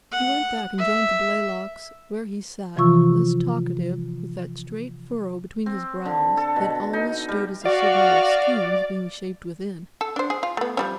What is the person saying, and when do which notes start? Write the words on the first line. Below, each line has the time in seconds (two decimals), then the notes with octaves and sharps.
He went back and joined the Blaylocks, where he sat, less talkative, with that straight furrow between his brows that always stood as a signal of schemes being shaped within.
0.12 F#5
0.78 E5
2.76 C3 E3 F3 F4 C#6 E6
5.66 C4
6.05 D3
6.37 A4
6.56 B2
6.93 D#4
7.29 G3
7.65 F#4 D5 F5
10.01 A4
10.16 D4 C5
10.30 G#4
10.43 F4
10.57 A3 B3
10.77 F3 G3 C#4